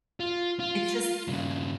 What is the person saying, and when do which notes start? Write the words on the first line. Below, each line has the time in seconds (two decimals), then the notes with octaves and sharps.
it's just
0.20 F4
0.60 F4
1.28 G2 C#3